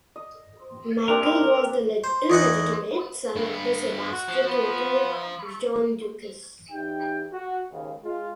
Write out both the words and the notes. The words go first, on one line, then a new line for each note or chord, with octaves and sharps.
Michael was the illegitimate son of the "sebastokrator" John Doukas.
D#5
C4 D4 G4 A#4
C5
E2 D#4 F#5 G#5
G2 B3
F#4
F3
B3
E2 D#4 G4 G5
F#4
D#2 G#2 C#3
G#3 F4